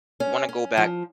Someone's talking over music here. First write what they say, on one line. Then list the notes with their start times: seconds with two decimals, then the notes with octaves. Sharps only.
wanna go back
0.20 C#4
0.49 C#4
0.77 F3